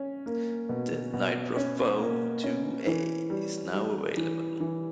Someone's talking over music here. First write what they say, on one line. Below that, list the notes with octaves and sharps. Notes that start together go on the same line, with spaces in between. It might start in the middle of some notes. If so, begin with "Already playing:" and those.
The "NitroPhone two a" is now avaiable.
Already playing: C#4
A#3
B2
B2
C#4
A#3
C#4
E3
G3
G3
E3
E3